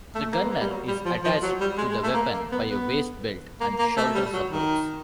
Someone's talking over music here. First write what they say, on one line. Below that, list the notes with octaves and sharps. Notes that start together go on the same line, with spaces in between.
The gunner is attached to the weapon by a waist-belt and shoulder supports.
A3
A#3
B3
A#3
G3
F#3
G3
F3
F3
F#3
G3
G#3
G#3
A3
A#3
A#3
B3
B3
A#3
A#3
A3
G3
F#3
D#3